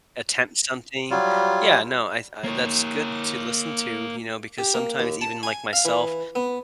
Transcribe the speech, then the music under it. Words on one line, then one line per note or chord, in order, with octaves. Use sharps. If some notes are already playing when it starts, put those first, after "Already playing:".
attempt something. Yeah. No. I th I that's good to listen to, you know, because sometimes even like myself,
F#3 G3 F4
A#3 C#5
G4
A#3
D#2
A5
G#5
F5
E3
B3